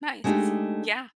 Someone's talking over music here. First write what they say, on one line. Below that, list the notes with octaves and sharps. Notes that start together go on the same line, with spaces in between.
Nice. Yeah.
G#3 A3 B3 D4 D#4 G4